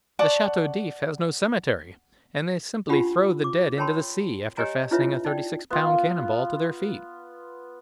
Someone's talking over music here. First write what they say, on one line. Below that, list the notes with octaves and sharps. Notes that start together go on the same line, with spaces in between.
"The Chateau d'If has no cemetery, and they simply throw the dead into the sea, after fastening a thirty-six pound cannon-ball to their feet."
D5 F#5 A5 C#6
C#4 D4 F4 G4 F#5 B5
D6
A#4 C#5 G5 A5 B5 C6
G4 C#5 D#5 G#5 A#5
D4 E4 F4 B4 C#5 E5
D#4 D5 G5
B3 F4 F5